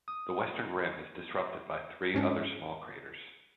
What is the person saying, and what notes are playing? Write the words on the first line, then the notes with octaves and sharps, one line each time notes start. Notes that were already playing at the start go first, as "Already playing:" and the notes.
The western rim is disrupted by three other small craters.
D#6
G#2 C#4 D4